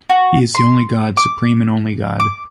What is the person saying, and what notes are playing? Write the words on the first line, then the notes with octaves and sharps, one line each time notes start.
He is the only God, supreme and only God.
F#4
C6
D6
D6